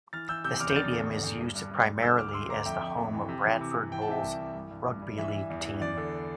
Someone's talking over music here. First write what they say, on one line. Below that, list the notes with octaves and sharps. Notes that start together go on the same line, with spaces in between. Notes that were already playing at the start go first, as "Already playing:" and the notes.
The stadium is used primarily as the home of Bradford Bulls Rugby League team.
E3 F6 A6
E3 E6 G6
C3 E6 G6
E2 D6 F6
G6
E2 F6 A6
D3
D3
E2
G2
G2
G2
G2
D3 E6 G6
D2 D6 F6
F6
D2 C6 E6
D3 A#5 D6
F2 E5 G5
F2
F2
E3
C3
E3
C3
C3
E3 G5
A5
C3 E5 G5
C2
E3
G2
G2
G2
G2
E3 E5
E3
E2
E3
E2 D5
D3